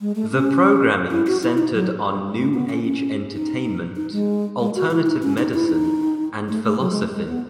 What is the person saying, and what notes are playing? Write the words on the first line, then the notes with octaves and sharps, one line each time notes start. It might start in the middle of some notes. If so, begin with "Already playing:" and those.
The programming centered on new-age entertainment, alternative medicine, and philosophy.
G#3
A3
C#4
E4
F#4
E4
D#4
F#3
A3
B3
C#4
C#4
D#4
D#4
G#3
G#3
F#4
E4
D#4
C#4
D#4
E4
D#4
A3
A3
F#3
G#3
A3
G#3
B3